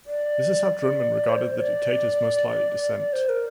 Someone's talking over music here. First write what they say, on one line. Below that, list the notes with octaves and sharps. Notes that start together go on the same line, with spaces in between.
This is how Drumann regarded the dictator's most likely descent.
D5
C5
D5
C5
A#4